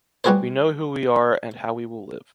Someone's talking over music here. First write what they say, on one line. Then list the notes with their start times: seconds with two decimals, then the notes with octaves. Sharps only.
We know who we are and how we will live.
0.24 G3 B3 F#4 G#4 B4 C5